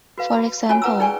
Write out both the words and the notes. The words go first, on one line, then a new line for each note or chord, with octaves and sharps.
For example.
F#4 B4 F5
F#4 B5
C#4 F4 F#4 C#5 G#5
F4 B4 F#5 A#5 D6 E6
D#4 G#4 D5 G5 G#5 C#6